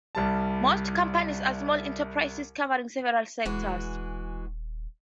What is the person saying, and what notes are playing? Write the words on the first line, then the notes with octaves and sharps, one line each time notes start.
Most companies are small enterprises, covering several sectors.
C2 G3 A5
D#1 E3 G#3 F#4